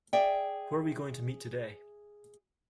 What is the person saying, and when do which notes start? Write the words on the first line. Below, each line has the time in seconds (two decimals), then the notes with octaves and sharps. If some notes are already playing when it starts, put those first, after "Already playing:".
Who're we going to meet today?
0.13 G#4 D5 E5 G5